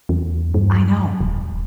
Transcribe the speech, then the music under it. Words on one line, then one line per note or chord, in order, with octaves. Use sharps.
I know.
E2
G2
D#1